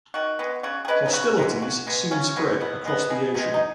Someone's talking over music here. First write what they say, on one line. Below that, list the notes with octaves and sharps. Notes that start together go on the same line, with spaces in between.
Hostilities soon spread across the ocean.
D#3 F#4
G#3 B3
C#3 F#4
G#4
G#3 B3 B4
D#4
C#3 F#4
G#3 B3
C#3 F#4
G#3 B3
C#3 C#4
G#3 B3
B2 B3
G#3 B3
B2 G#4
G#3 B3 G#4
D#4